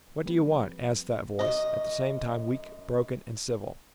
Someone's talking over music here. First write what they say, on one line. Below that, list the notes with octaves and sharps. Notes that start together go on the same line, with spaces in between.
"What do you want?" asked that voice, at the same time weak, broken, and civil.
F3 G3 A#3 C4 G4 B4
F#2 D#5